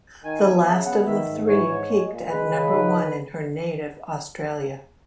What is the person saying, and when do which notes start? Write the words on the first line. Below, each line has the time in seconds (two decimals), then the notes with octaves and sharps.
The last of the three peaked at number one in her native Australia.
0.24 D#3 G#5
0.45 B3
0.65 C#3 E5
0.86 B3 F#5
1.06 D#3 E5
1.26 G#2
1.47 E3 C#5
1.68 G#2
1.89 G#3
2.09 A#2
2.29 G#3 B4
2.50 C#3
2.71 D#3